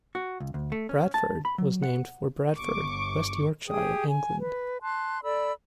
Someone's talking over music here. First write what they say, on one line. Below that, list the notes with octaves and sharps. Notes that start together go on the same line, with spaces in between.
Bradford was named for Bradford, West Yorkshire, England.
F#4
C#2
D2
A3
C#4
A5
B5
F#3
F#5
G1 C#6 D6
G4 G#4 G5 D#6
G#5
B4
A5 C6 F#6
A4 D5 B5 E6